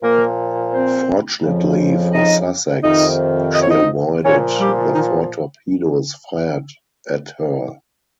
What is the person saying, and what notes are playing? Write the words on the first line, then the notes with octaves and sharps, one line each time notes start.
Fortunately for "Sussex" she avoided the four torpedoes fired at her.
A#2 F3 A#3 A#4
C4 C5
F2 C#3 F3
D#4 D#5
F2 C3 D#3 D#4 D#5
D#5
C#5
D#4 D#5
A#2 F3 C#4 C#5
G3 G4
D#3 D#4